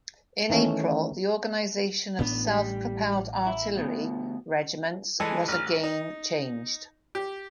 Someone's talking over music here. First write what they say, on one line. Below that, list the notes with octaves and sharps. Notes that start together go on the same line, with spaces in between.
In April, the organization of self-propelled artillery regiments was again changed.
D#3 E3 A3 C#4
A1 A2 B3 D4
G3
E4
D2 B2
E3 G#3 A4
A1 F6
D#4
G4